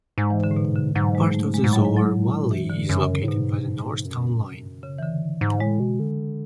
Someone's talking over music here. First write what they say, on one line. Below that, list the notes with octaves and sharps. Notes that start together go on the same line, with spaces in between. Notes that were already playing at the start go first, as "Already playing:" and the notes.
Part of the Zoar Valley is located by the north town line.
G#2 G#3
E3
D3
A2
B2
D3
G#2 F#3
G#3
A3
G#3
G#2
A2 F#3
G#3
F#3
B2 E3
G#2
D3
F#2
F#2 C#3
A2
G#2 B2
F#2
C#3
E3
D3
G#2
G#2
A2 G#3
B2
D3